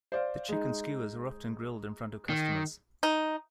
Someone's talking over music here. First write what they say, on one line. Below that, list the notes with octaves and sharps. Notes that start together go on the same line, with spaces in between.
The chicken skewers are often grilled in front of customers.
C5 D5 F5
G#3 D#4
D#3
D#4